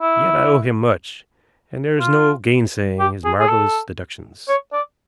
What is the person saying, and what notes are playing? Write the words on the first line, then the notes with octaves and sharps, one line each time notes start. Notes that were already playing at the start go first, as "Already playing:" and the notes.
Yet I owe him much, and there is no gainsaying his marvelous deductions.
E4
F4
G4
G#4
G#4
A4
C#5
D5